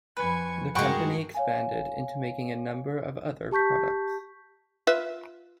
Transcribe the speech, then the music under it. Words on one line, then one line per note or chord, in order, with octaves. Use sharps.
The company expanded into making a number of other products.
F2 B4 G#5 C#6
G2 G#3 F#4 A#4 F#5 G5 C#6
C#5 F5 G#5
G4 A5 C#6 G6 B6
F4 B4 E5